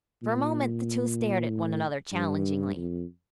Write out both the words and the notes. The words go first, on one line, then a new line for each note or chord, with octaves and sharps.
For a moment the two stared at one another challengingly.
A#2
A2
G2
F2